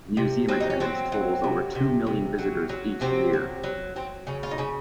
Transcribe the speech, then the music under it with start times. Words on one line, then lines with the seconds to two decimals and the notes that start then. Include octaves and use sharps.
Museum attendance totals over two million visitors each year.
0.17 C3
0.48 F#3 C4
0.60 D#4
0.70 C#4
0.80 F#3 C4
1.12 F#3
1.44 C3
1.75 C3
2.07 C3
2.38 F#3
2.69 F#3
3.01 C3 C4
3.33 F#3
3.63 F#3
3.96 F#3 C4
4.27 C#3 C#4
4.43 F4
4.51 D#4
4.58 C#3 C#4